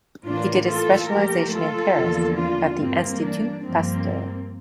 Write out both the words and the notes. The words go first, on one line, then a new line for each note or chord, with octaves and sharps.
He did his specialization in Paris at the Institut Pasteur.
A2 E3 A#3 D4 F4
F4 A4
A#2 F3 A3 G4 A#4
F4 A4
E2 D3 F3 A#3
D4 F4
G2 E3 A#3 C4
D4
G2 F3 A#3 C4